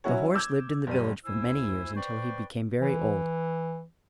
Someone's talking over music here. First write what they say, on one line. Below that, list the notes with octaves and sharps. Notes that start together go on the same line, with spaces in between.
The horse lived in the village for many years, until he became very old.
F#3 C#4 E4 F#4 C#5
D6 E6 G6 G#6
F#1 G3 D#7
D2 E4 C5 G#5 E6
B4 C5 D5 G5 C#6
E3